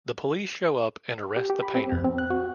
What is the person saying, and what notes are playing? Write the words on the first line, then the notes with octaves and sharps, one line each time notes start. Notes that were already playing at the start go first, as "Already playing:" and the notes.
The police show up and arrest the painter.
G4
G4
B5
C4
F2
C4
F#6
F#4